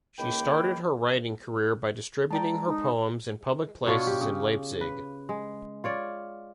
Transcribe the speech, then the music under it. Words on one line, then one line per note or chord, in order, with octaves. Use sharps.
She started her writing career by distributing her poems in public places in Leipzig.
C#2 D#3 A#3 G5 B5
G#3 D5 G5 A5 A#5
D#4
B2 D4 F4 C#5
G4
C#3
B4
G#3
F4 C#5 D5